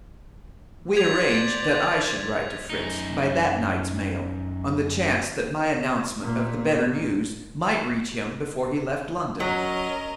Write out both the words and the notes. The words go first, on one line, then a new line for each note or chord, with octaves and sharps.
We arranged that I should write to Fritz by that night's mail, on the chance that my announcement of the better news might reach him before he left London.
C5 D5 G#6 B6 F7
F#2 D#4
A#2
F#3 C#4 A#4 D#5